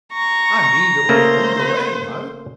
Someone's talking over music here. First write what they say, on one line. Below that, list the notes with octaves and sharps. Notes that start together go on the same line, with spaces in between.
"I mean that we're under way now."
A#5 C#6
C#3 A3 A#3 C5